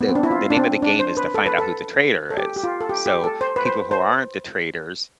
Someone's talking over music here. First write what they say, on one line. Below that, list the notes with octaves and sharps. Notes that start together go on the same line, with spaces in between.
the the name of the game is to find out who the traitor is, so people who aren't the traitors
B3
C4
D4
E4
F4
D4
C4
D4
C5
B4
A4
B4
A4
A4
G4
G4
F4
A4
G4
G4
A4
C5
B4
C5
C5